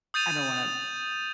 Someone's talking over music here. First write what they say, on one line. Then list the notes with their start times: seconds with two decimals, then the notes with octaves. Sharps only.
I don't wanna
0.14 D#6 G6 A6 D#7 F7